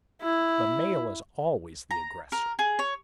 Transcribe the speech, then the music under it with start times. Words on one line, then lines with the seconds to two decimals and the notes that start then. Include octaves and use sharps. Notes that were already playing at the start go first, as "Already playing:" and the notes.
The male is always the aggressor.
0.22 E4
1.91 A#5
2.32 A#4
2.59 G#4
2.79 C#5